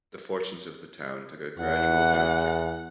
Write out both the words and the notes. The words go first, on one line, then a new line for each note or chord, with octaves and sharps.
The fortunes of the town took a gradual downturn.
E2 F#5